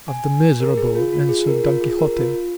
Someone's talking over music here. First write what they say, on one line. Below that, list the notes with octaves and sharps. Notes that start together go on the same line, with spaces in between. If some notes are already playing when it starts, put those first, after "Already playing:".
"Of the miserable," answered Don Quixote.
G#5
A#4
G#4
F4
F4
G#4
A#4
F4
G#4
A#4
F4